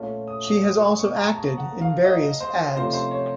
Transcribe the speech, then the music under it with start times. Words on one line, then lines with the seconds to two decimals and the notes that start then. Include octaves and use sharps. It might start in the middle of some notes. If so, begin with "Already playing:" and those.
She has also acted in various ads.
Already playing: A#2 A3 C#4 F4
0.28 D#6
0.45 D#6
0.62 D#6
0.80 C#6
0.99 C#6
1.16 A#5
1.34 A5
1.58 F#5
1.81 F5
2.04 D#5
2.40 C5
2.76 C3 F3 A3 C#4 F4 C5
2.93 C5
3.11 C#5